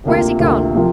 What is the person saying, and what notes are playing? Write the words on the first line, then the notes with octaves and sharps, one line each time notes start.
Where's he gone?
D2 C3 A#3 F4
D2 C3 A#3 F4
C3 F3 A#3 F4